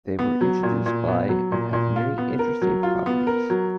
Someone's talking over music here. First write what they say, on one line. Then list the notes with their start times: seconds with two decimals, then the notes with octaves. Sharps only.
They were introduced by and have many interesting properties.
0.19 B3
0.41 F#3
0.63 A#2
0.86 A#2
1.08 B3
1.29 F#3
1.52 A#2
1.73 A#2
1.96 F4
2.18 B3
2.39 A#4
2.61 F#3
2.83 F4
3.06 B3
3.27 A#4
3.50 F#3